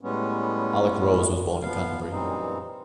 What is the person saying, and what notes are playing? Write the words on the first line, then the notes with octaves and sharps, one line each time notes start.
Alec Rose was born in Canterbury.
A2 G3 G#3 B3 C#4
F3 B3 F5
F#2 A#2 E3 G3 C4 D#4